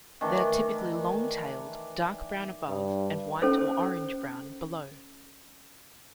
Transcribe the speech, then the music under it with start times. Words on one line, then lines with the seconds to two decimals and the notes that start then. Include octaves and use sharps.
They are typically long-tailed, dark brown above, and white or orange-brown below.
0.21 D#3 E3 A3 D4
2.68 G2
3.42 C#4 A4 C5